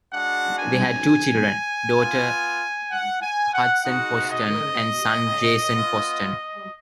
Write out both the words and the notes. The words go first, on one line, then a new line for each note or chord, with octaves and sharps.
They had two children, daughter Hudson Poston and son Jason Poston.
G#3 D4 F#4 F#5
G#5
B3 F4
F#5
G#5
F#5
G#3 D#4 F#4 F#5
D#5
B3 F4